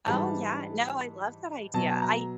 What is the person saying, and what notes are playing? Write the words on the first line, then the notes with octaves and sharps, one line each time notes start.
Oh, yeah, no, I love that idea. I
G#2 E3 G3 A5
B2 F#3 A5
A#5